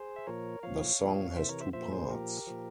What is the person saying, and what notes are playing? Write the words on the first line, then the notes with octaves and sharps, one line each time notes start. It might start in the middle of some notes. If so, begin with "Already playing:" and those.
The song has two parts.
Already playing: G#4 C5
E5
A#2 F3 A#4 C#5
A#2 F3 C#5 F5
A#2 F3
C#5
C3 E3 C5 E5
A#4 C#5
C5 E5
A#2 F3 C5 E5
G#4 C5
A#2 F3 G4 A#4
A#2 F3